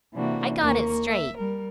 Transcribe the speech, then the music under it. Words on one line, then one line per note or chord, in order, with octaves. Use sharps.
"I got it straight."
C3 E3 A#3 D4 F#4
D#2 A#3 A#4 C#6
E5
G3 A#4